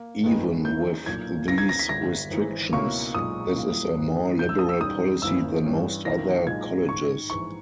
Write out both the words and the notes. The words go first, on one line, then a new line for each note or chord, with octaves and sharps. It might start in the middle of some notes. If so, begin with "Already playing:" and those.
Even with these restrictions, this is a more liberal policy than most other colleges.
Already playing: A#3
G2 D#3 G#3 B3 D#4
E2 D#3 A#3 C#4 E4 G6
B1 A#2 A#3 G#6
E2 C#3 E3 A#3 A#6
G#6
A#6
B6
G1 G2 G3 A#6
G#1 G#2 E3
C#2 B2 A#3 C#4 E4 C#6
B1 A#2 G#3 D#6
B1 A#2 G3 A#3 E4
G#1 G#2 D#3 A#3
A#2 A#3 D#4 G6
E6
D#6
E6
E1 D#2 D#3 G3 C#4 D#6
G#1 G2 E3 A#3 E4 E6
G2 E3 G3 C#4
E1 E2 D#3 A#3 E4 A#6
B1 A#2 G#3 D#4 G#6
G#2 D#3 G#3 C#6
A#1 G#2 E3 C#6